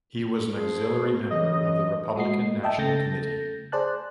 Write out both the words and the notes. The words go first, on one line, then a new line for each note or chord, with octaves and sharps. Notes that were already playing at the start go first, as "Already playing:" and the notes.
He was an auxiliary member of the Republican National Committee.
F3 G#4
C#3 E3 D#5
G#3 F#4 D#5 C7
D#5 E5 G5 A5
C#3 A3 A4 G6 A6 A#6
G#4 C5 D5 A5 F#6